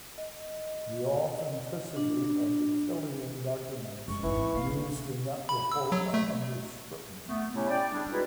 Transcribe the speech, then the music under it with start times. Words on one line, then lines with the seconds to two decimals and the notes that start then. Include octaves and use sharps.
The authenticity of the Killian documents used in that report are under scrutiny.
0.18 D#5
1.97 D4
4.08 F#2 G#3 C#6
4.23 A1 G#2 E3
4.36 C4
4.55 A#3 F5
5.49 B5
5.72 E6
5.92 F#3
6.14 A3
7.25 A3 B3
7.53 A2 C3 A3 C#4 E4
7.69 D5 G5
7.92 G3 D4 G#4
8.12 G#3 D#4 E4 F#4 G#4 B4